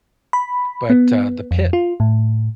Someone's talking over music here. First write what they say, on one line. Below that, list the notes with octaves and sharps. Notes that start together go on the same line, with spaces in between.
but, uh, The Pitt
B5
B3
F2
F4
A2